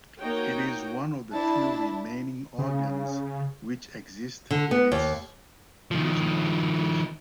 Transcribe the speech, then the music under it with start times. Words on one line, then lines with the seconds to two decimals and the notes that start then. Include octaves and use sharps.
It is one of the few remaining organs which exists in its original location.
0.21 A#3 D#4 F#4 C#5 G5
1.32 D4 E4 A5
2.59 C#3
4.51 D3
4.71 B3
4.92 D#2
5.91 D#3 F3